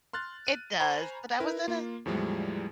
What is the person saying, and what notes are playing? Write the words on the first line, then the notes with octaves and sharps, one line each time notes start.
it does, but I was at a
C6 F6 F#6 A6
D#7
C5 G#5 A#5 B5 C#6
E4 A#4 B4
A#3 F4
E2 A2 F3 G3 G#3